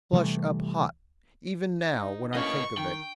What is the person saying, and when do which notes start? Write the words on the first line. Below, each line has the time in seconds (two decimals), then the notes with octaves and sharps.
I flush up hot, even now, when I think of it.
0.13 C3 E3 G3 A3
1.89 D#4
2.35 A2 A#3 C#4 B4 D#5 C#6
2.78 D#3 G5